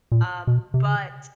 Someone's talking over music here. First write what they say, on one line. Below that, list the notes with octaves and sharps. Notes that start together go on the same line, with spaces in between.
Um, but
A#2
B2
C3
C#3